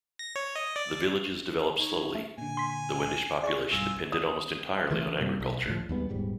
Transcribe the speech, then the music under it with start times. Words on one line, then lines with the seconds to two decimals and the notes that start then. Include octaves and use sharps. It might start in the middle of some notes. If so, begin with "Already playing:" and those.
The villages developed slowly; the Wendish population depended almost entirely on agriculture.
0.19 A#6
0.36 C#5
0.56 D#5
0.76 D5
1.79 D#4 C#5
2.15 A3
2.38 A#2 D3 G#5
2.57 C6 B6
3.44 G#4 D5 C#6
3.71 B1 G2 F4 G#5 E6 A#6
4.12 D#6
4.90 D#3 E3 A3
5.19 F#2 C3 G3 A#3
5.40 B1
5.66 D2 A2 F3
5.89 D#2 G3 G#3 B3
6.09 D#1 G#2 G3 B3